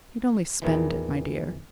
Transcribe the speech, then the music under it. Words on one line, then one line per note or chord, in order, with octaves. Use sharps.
"He'd only spend it, my dear."
E2 A#2 D#3 E3